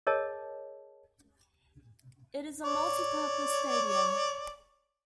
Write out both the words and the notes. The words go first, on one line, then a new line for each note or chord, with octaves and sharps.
It is a multi-purpose stadium.
G#4 A#4 C#5 D#5 A5
C#5 D5